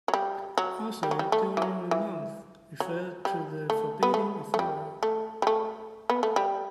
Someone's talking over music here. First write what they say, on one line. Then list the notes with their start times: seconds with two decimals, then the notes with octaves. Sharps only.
Also during the month referred to the forbidding of war.
0.08 F#3
0.14 G3
0.58 F#3
1.03 G3
1.11 F#3
1.19 G3
1.32 A3
1.57 E3
1.62 F#3
1.91 E3
2.80 F#3
3.25 G3
3.70 A3
4.03 B3
4.14 A3
4.54 A3
4.59 G3
5.03 A3
5.42 G3
5.47 A3
6.10 B3
6.23 A3
6.36 G3